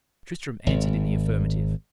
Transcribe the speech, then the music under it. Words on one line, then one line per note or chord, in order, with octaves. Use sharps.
Tristram answered in the affirmative.
G#1